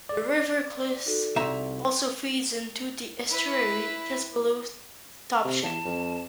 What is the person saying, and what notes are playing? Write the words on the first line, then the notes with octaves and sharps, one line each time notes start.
The River Clyst also feeds into the estuary, just below Topsham.
D5
D#4 F#4 A4
C2 E5 A#5
E4 B4
C3
E2 A5
F2